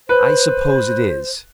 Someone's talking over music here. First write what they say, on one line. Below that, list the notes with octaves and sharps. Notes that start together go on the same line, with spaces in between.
I suppose it is.
B4 C5